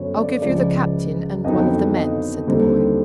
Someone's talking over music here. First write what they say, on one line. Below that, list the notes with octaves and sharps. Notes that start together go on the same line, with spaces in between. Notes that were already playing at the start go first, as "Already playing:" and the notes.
"I'll give you the captain and one of the men," said the boy.
Already playing: F#2 D3 F#3 B3 C5 C#5
D5
C#2 C#3 F3 D5
F2 D3 F#3 B3 D#4 D#5
D#5
D#2 D3 G3 C4 D#4